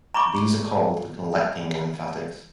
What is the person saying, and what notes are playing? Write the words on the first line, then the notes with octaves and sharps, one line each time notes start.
These are called the "collecting lymphatics".
A#5 B5 C#6 D6